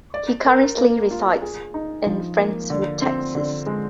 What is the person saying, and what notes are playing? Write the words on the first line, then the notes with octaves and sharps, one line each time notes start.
He currently resides in Friendswood, Texas.
D5
A#4
A#3
F4
G#4
D#4
F3
A#3
D3
C4
D3
G#3